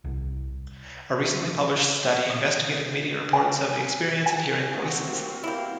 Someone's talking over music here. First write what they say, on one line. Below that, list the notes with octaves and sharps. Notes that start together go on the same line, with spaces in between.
A recently published study investigated media reports of the experience of hearing voices.
C2
D#6
G#5
G#5
D2 F3 A3 C4 F#4
G3 A#3
B2 A#3 E4 G4